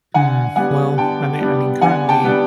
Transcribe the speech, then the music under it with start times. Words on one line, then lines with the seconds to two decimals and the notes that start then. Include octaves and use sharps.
Hmm, well, I mean I mean, currently,
0.14 D3 F#5 G#5
0.56 G3 B3 D4 F#5 G#5
0.98 D3 G5 A5
1.40 G3 B3 D4
1.81 D3 F#5 G#5
2.09 G5 A5
2.24 G3 B3 D4